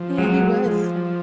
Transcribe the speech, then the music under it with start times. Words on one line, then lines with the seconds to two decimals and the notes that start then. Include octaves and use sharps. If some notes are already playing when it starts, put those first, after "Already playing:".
Yeah, he was, and
Already playing: F3
0.18 F#3 G#3
0.66 F3